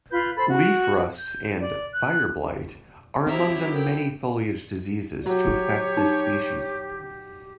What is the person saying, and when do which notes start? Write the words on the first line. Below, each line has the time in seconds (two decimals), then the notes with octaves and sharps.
Leaf rusts and fireblight are among the many foliage diseases to affect this species.
0.11 F4 B4 G6
0.37 A4 C5 B5
0.48 F#4
1.18 G6
1.61 D5
1.91 F#6
3.27 F#3 C4 E4 G4 E5 A#5
3.73 A4 A#4 G5
5.26 F#3 G4 C#5
5.97 D#4